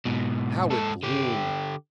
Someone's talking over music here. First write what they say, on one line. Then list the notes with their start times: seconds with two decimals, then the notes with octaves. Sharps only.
How it bloomed!
0.05 G#2 B2
0.70 G#2 A4
1.03 D3 G4